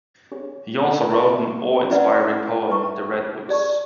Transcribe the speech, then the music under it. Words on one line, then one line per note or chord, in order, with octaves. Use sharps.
He also wrote an awe-inspiring poem "The Redwoods".
D4 G#4 C#5
B4 E5 A5 C#6
C#4 E4 B4 D5 F#5
B4 E5 A5 C#6
G#4 D5 A5 C#6